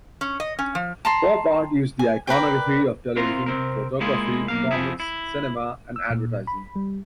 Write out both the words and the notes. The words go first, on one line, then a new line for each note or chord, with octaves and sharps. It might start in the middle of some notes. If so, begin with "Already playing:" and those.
Pop art used the iconography of television, photography, comics, cinema and advertising.
C#4
D#5
C#4
F3
A5 A#5 C6
G#5
A#4 B4 D5 G5
C4 E4 F4 A#4 F5 A#5
C3 C4 A#4
G#3 A#3 E4 F4 G#4
B1 A#3 F5
F2 D#3 F3 E4 G#4 E5
E4
E6
A#2
B5
G3